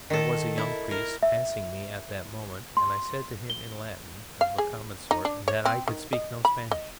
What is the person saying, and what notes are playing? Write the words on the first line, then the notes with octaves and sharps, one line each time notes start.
There was a young priest passing me at that moment, and I said to him in Latin of the common sort that I could speak no Spanish.
D#3 A4
E4
A#4
E5
C6
G7
F5
G#4
D#4
D4
C#5
C4
D#3
D#5
B5
D#5